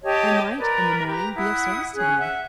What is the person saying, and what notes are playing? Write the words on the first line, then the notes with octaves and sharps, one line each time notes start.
I might, in the morning, be of service to them.
G4 C#5 D#5 A5
A#4 B4 D5
G4 B4 A#5
E4 F#5 D#6
C#4 G#4 F#6
E5 F#5